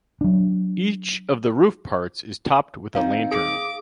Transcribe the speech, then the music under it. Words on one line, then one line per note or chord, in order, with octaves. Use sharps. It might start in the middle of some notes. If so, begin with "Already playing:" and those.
Each of the roof parts is topped with a lantern.
F#3 D4
D#3 C4 D#4 F5
G#4 D6